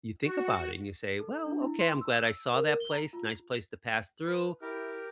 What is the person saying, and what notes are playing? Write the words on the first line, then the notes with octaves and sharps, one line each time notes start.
you think about it, and you say, "Well, okay, I'm glad I saw that place, nice place to pass through,
F#4
A4
D4
E4
C6
E6
A#4
G7
A#5
F4
B4
E4 G4 A#4